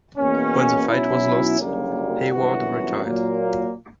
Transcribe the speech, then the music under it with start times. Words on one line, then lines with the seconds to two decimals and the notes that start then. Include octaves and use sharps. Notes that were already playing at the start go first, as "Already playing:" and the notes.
When the fight was lost, Hayward retired.
0.17 E2 B2 A#3 C#4
0.88 B1 B2 F#3 C#4 E4
1.60 F#1 F#2 D3 G3 A#3
2.31 G1 F#2 E3 B3 F#4
3.04 A#2 F#3 A#3